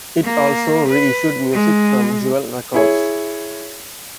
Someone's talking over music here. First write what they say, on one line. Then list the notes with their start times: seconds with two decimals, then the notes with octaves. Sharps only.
It also reissued music from Jewel Records.
0.24 A#3
0.89 B4
1.53 G#3
2.74 E4 G#4 C#5